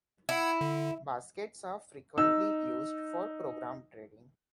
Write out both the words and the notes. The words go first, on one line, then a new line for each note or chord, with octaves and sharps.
Baskets are frequently used for program trading.
E4 F#5 E6 G#6
D3
D#4 E6